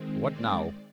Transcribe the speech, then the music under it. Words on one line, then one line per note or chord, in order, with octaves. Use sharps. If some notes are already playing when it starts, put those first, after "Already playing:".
"What now?"
Already playing: D#3 G#3 C4
D5